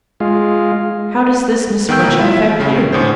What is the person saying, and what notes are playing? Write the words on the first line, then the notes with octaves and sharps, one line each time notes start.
How does this misfortune affect you?
G#3 F4
D#3 B3 G5 E6 G6
B2 E3 A#3
E4 F4 E5
C#2 C#3
D2 A2 D4 C5